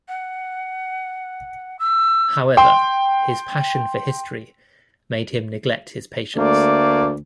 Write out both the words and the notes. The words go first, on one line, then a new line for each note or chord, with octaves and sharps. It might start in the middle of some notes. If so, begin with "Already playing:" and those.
However his passion for history made him neglect his patients.
F#5
E6
G5 C6
D2 A3 A#3 D5